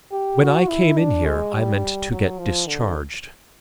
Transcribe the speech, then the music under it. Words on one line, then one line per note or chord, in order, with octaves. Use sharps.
When I came in here I meant to get discharged.
G4
F#4
E4
D4
G#3
G3
F#3
F3
D3